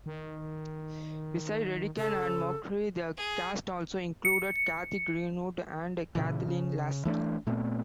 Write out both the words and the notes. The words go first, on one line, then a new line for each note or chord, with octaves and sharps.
Besides Redican and Mochrie, the cast also included Kathy Greenwood and Kathleen Laskey.
D#3
C#3 A4
G#4
C#7
A#2 C#3 E3
C#3
E3 A3 C4 D4
A#2 A3 B3 C4